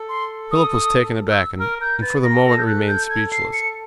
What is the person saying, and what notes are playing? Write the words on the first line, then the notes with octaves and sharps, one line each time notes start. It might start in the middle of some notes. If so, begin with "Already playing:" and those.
Philip was taken aback and for the moment remained speechless.
Already playing: A4
C6
D#6
D#6
E6
A#4 F6
A#4 G6
B4 A6
A#4 A#6
A4 A#6
G6
F#6
G6
G#6
C7
C#7